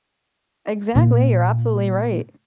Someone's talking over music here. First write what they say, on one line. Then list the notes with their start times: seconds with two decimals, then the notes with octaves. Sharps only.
Exactly, you're absolutely right.
0.95 A#2 A#3